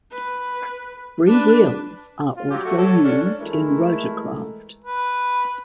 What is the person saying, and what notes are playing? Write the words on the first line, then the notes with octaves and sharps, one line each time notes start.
Freewheels are also used in rotorcraft.
B4
D4 B4
F4
F#3 G4
A3 F#4
A4 C#5
C#4 D4
E3 G#3 A3 E4 A#4
B4